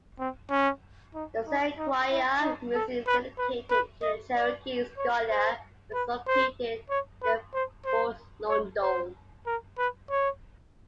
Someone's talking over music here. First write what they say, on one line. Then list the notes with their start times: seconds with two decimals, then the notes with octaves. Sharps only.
The Sequoyah Museum, dedicated to the Cherokee scholar, is located near Fort Loudoun.
0.19 C4
0.50 C#4
1.15 D#4
1.47 D#4
1.78 D#4
2.11 E4
2.42 D#4
2.75 A4
3.07 B4
3.38 B4
3.71 B4
4.02 D#5
4.34 D5
4.98 C#5
5.30 C5
5.94 B4
6.27 C5
6.90 C#5
7.23 B4
7.54 C5
7.85 C5
8.49 C#5
8.81 C5
9.46 A#4
9.78 B4
10.10 C#5